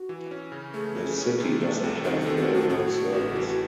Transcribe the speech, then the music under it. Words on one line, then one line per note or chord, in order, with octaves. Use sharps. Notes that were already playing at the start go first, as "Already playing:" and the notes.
The city does not have railroad service.
Already playing: F#4
E3
C#4
C#3
A3 G#4
E3
C#4
C3
A3
C2
D#3 C5
A4
C3
F#4
A3
F#4
A2 F#4
A3
A1
E3